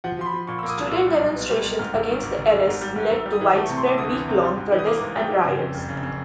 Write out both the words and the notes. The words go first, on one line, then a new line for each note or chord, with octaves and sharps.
Student demonstrations against the arrests led to widespread week-long protests and riots.
F3 F#5
F3 C6
B5
F3
A#2 C#6
E6
A#3 D6
D#6
C2 E6
A#2 E6
G3
B1
B3
G3
G3
G#2 F6
G#1
D#3
G#1
G#1
G#1
G#2
G3
G#2
G#2 E6
G3
D#6
E3
A3 D6
C#6
C3
C6
A3 D6
D2 D#6
E3
C3
G3
G#2
E3
D#6
A#3 D6
D6
G#2
G3 G5
E3
C#3
F2
F#1
C#3
C#3